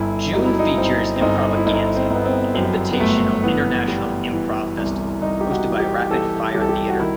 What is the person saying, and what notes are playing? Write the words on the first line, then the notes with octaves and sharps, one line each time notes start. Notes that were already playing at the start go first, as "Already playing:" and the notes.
June features Improvaganza, an invitational international improv festival, hosted by Rapid Fire Theatre.
Already playing: G1 E4
F#3 D#4
E4
D#4
G1 C4
C4
G1 D#4
E4
G1 D#4
C4
G1 B3
C4
F#2 C4
B3
G1 A3
E3 B3
G3
E3
C2
C2 D#4
G4
F#4
E3
G4
E3 A4
C2 G4
A4
G4
F#4
D#3 E4